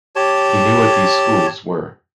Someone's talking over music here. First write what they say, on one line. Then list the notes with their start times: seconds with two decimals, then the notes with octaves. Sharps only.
He knew what these "schools" were.
0.16 G4 C#5 A5